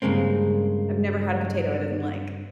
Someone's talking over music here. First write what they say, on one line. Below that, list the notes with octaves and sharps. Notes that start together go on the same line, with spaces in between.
I've never had a potato I didn't like.
G2 C#3 G#3 A#3 C4